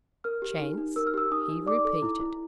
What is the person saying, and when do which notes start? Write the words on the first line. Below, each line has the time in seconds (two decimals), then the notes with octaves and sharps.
"Chance?" he repeated.
0.24 A#4 F6
0.42 G4
0.60 D#4
0.78 D#4
0.96 A#4 E6
1.07 F6
1.14 G4 E6
1.31 D#4 D#6
1.49 D#4
1.66 D5 D6
1.85 A4
2.02 E4
2.20 E4